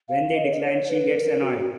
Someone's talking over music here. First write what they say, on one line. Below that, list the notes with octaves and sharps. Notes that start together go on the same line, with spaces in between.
When they decline, she gets annoyed.
F5
D#5
C#5
D#5
C#5
B4
A#4
F#4
F#4